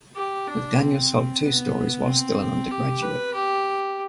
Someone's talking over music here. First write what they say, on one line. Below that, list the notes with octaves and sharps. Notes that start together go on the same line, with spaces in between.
McDaniel sold two stories while still an undergraduate.
G4
D4
C4
B3
C4
G4
B4
G4